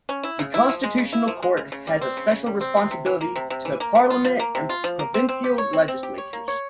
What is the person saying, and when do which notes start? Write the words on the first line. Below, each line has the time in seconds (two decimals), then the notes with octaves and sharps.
The Constitutional Court has a special responsibility to parliament and provincial legislatures.
0.09 C#4
0.23 E4
0.39 C#3
0.54 E4
0.69 F3
0.83 G#3
0.98 C#3
1.13 E4
1.28 F3
1.42 G#3
1.57 C#3
1.72 C#3
1.87 G3
2.01 C4
2.17 C#3
2.31 C#3
2.46 G3
2.61 C4
2.77 C3
2.91 C3
3.06 E3
3.21 A#3
3.36 C3
3.50 C3
3.65 E3
3.80 A#3
3.95 C3
4.10 F4
4.25 F3
4.40 A#3
4.55 C3
4.69 F4
4.84 F3
4.99 A#3
5.14 C4
5.29 C4
5.44 G4
5.58 C#5
5.73 C4
5.88 C4
6.03 G4
6.18 C#5
6.33 A#3
6.48 C#5